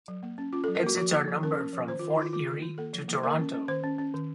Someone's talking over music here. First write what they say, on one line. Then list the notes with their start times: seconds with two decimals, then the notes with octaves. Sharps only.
Exits are numbered from Fort Erie to Toronto.
0.08 F#3
0.23 A#3
0.38 C#4
0.53 C#4 F4
0.64 A4
0.68 F#3
0.75 A#4
0.83 A#3 F#4
0.97 F3 F#4
1.13 A#3
1.28 F3
1.43 C#4 A#4
1.58 C#4
1.73 F3
1.88 D#3 C5
1.99 F4
2.03 D#3
2.10 D#4
2.18 D#3 F4
2.33 D#3 F4
2.48 D#3
2.63 D#3
2.78 A#3 A4
2.93 F3
3.08 A#3
3.23 A#3 A#4
3.39 C#4
3.53 C#4
3.68 D#3 C5
3.84 C#4
3.99 C#4
4.14 D#3